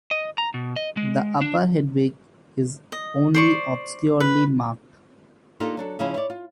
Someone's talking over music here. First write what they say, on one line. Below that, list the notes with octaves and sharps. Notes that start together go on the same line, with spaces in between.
The upper hindwing is only obscurely marked.
D#5
A#5
B2
D#5
G#3
D4
D#5
C5 D5 C#6
B4
A#3 D4 D#4 F4 G4 A4
F#3 D4 A4
C#3 F3 C#4 D#4 E4 G#4
E4 C#5 D5
F4